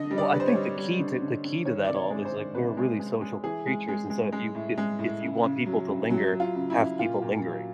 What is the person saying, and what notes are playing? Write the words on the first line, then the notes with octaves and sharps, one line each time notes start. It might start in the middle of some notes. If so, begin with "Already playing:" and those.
Well, I think the key to the key to that all is, like, we're really social creatures, and so if you if if you want people to linger, have people lingering,
Already playing: D3 D#5
G3
D5
D3 B4
C5
C#5
G3
G3
D3
D3
D3
D#3 C#5
C3 D5
C#5
G#3
C5
D#3
C3 B4
G#3
G#3
G#3
E3 G#4
G#3
G#3
G#3
G#3
A2
G#3
A2
C#3
C#3
F#3
C#3
F#3
F#3
F4
C#3
E4
C#3
A#2 F4
A#2
F#3